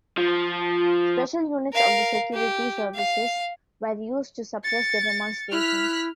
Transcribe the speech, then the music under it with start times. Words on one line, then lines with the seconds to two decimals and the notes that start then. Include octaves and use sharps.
Special units of the security services were used to suppress the demonstrations.
0.17 F3
1.73 A#4 F5
2.33 G4
2.95 F5
4.64 A6 C#7
5.52 E4 F6 F#6 B6